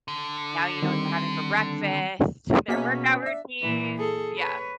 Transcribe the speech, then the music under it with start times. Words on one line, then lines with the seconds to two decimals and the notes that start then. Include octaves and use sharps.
Now you know what they're having for breakfast, their workout routines. Yeah.
0.08 D3
0.82 D#3 G3 C4
2.68 B2 A#3 B3 C#4 G#4 E5 B6
3.22 D4 E5
3.62 A#2 E3
3.97 G#4 A4
4.38 B4 C#5